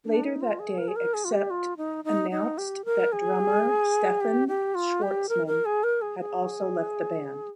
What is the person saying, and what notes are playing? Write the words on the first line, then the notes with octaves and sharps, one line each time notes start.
Later that day, Accept announced that drummer Stefan Schwarzmann had also left the band.
D4
D#4
F4
G#4
A#4
G#4
A#4
G#4
F4
G4
F4
D#4
D#4
D#4
G4
A#4
G#4
G4
G4
F4
G4
A#4
A#4
G#4
A#4
G#4
G#4